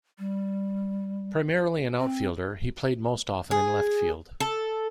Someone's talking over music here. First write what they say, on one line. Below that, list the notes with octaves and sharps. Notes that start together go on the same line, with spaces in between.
Primarily an outfielder, he played most often in left field.
G3
C4
G#4
A4